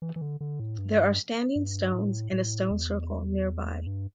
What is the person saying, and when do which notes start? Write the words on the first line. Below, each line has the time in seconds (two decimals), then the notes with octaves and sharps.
There are standing stones and a stone circle nearby.
0.02 E3
0.16 E3
0.21 D3
0.41 D3
0.60 A2
0.78 G2
1.56 G2
1.94 A2
2.32 A2
2.71 E2
3.87 G2